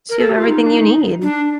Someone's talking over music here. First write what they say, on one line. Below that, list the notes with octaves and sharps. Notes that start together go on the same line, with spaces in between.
So you have everything you need.
A#4
A4
G4
F4
D#4
D4
D#4
D4